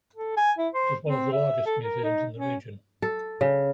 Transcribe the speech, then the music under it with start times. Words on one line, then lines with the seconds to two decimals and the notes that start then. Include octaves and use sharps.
It is one of the largest museums in the region.
0.16 A4
0.37 G#5
0.58 E4
0.74 C5
1.07 C4
1.32 E5
1.66 A4
1.83 A#4
2.04 D#4
2.37 C#4
3.02 A4
3.41 C#3